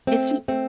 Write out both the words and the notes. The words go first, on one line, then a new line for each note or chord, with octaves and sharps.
it's just
A3 C4
A3 C4